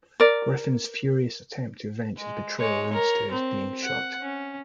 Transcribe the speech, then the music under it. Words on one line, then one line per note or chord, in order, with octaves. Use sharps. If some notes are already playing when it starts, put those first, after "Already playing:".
Griffin's furious attempt to avenge his betrayal leads to his being shot.
A#4 D5
G#3
G#3 C#5
A#4 C#5
C4
F#5
C#4